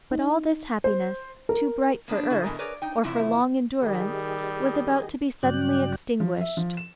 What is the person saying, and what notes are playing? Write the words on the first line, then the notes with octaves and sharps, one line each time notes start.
But all this happiness, too bright for earth, or for long endurance, was about to be suddenly extinguished.
D#4
C5
A#4
A#3 B3 D4
C#3 E4 A4
B2 E3 G#3 A#4
G#4 A#4 B4 C#5 D5
D#4 G5
E2 A2 C3 F3 E4
D#3 G3 G4 G#4 D#5
G2 C#3 F#3 D5 G5 F#6
F3
E5
F3
E7